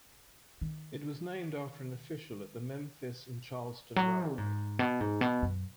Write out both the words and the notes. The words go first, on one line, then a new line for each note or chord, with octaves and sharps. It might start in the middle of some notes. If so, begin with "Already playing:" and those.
It was named after an official at the Memphis and Charleston Railroad.
D#3
F#3
B2
G#2
B2
G#2
B2
F#2